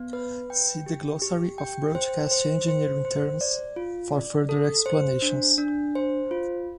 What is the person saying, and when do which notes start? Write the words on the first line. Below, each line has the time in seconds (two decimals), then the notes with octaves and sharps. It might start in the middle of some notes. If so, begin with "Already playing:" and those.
See the glossary of broadcast engineering terms for further explanations.
Already playing: B3
0.13 B4
0.50 G5
0.86 G4
1.22 G4
1.58 G5
1.95 C5
2.31 C5
2.68 C5
3.05 C5
3.41 D5
3.76 F4
4.13 D5
4.49 A4
4.86 C5
5.22 D4
5.58 D4
5.95 C5
6.31 F4